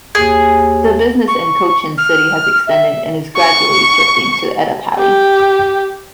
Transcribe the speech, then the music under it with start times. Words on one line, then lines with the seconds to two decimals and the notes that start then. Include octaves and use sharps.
The business in Cochin City has extended and is gradually shifting to Edapally.
0.15 D#2 G#4
1.28 C#6
1.98 F6
2.67 E5
3.37 C#6
4.99 G4